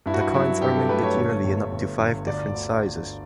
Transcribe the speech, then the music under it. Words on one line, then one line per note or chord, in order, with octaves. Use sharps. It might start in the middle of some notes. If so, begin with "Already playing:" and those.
The coins are minted yearly in up to five different sizes.
G2 E4
F#4
E4
F#3 E4
G2 G4
A4
A3 B4
C#5
G1
G1
G1
G1
D2 D5
D2